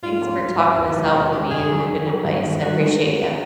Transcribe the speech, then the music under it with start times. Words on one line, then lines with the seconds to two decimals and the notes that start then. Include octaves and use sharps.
thanks for talking this out with me and the good advicem I appreciate ya.
0.03 G#2 F4
0.21 F3 A#3 C#4
0.39 G#2
0.59 F3 A#3 C#4
0.77 E2
0.96 C3 E3 G#3 C#4
1.14 E2 F#4
1.33 C3 E3 G#3 C#4 G4
1.51 F#2 G#4
1.70 D#3 F#3
1.87 F#2
2.07 D#3 F#3
2.24 G2
2.44 D#3 G#3
2.61 G2 F#4
2.80 D#3 G#3